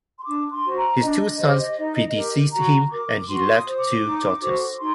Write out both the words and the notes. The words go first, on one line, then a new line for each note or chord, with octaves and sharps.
His two sons predeceased him and he left two daughters.
C6
D4 D6
C6
F#4 C5
A#5
D4 D#5
G4 C5
D#4
G4 A#4
F#4 A#5
A#4 D6
D6
F#4 C6
D#6
C5
D6
D#4
F#4 A4 C5
D#4 C6